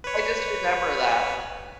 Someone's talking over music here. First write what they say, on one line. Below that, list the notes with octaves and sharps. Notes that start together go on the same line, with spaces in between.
I just remember that.
B4 C#5